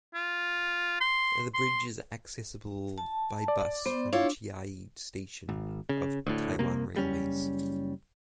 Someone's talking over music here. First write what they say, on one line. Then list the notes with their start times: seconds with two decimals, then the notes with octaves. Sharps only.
The bridge is accessible by bus from Chiayi Station of Taiwan Railways.
0.14 F4
1.01 C6
1.54 C6
2.98 A5
3.48 D5
3.86 B3 C5
4.13 D4 E4 F4 C#5
5.49 G#1
5.89 C#3
6.27 D2 A2
6.59 C2 C3 A#3
6.95 F#1 G3 C#4